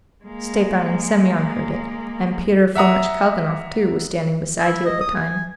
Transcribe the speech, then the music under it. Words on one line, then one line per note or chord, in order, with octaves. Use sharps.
Stepan and Semyon heard it, and Pyotr Fomitch Kalganov, too, was standing beside you at the time.
G#3 A#3
E5 F#5 A#5 D#6
E4
D#5
D#6
G#5